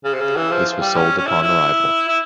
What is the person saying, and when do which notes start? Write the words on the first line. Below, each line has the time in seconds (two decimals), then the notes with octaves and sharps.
This was sold upon arrival.
0.04 C#3
0.13 C3
0.21 C#3
0.36 E3
0.51 F3
0.81 G3
0.96 C#4
1.18 C#4
1.26 E4
1.42 E4
2.08 E4